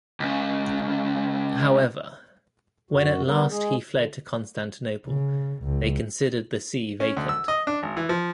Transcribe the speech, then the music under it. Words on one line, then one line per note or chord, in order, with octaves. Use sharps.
However, when at last he fled to Constantinople they considered the see vacant.
C#2 C#3
F#2 F#4
G3 B3 A#4
G#3 G#4
D3
C#3
C#2
C#4
D2
E6
D#5
D4
G#1
E3
F3